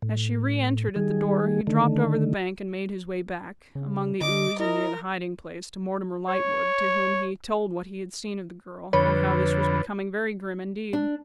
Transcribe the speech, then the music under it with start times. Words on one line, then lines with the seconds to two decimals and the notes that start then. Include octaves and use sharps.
As she re-entered at the door, he dropped over the bank and made his way back, among the ooze and near the hiding-place, to Mortimer Lightwood: to whom he told what he had seen of the girl, and how this was becoming very grim indeed.
0.02 A2
0.96 D#3 G3 G#4
1.67 D3 D#3 A3
3.75 C#3
4.21 D3 D#5 D6
4.60 E4 A#4 D#5
6.29 C#5
8.93 F2 D3 B4 C#5
10.93 D4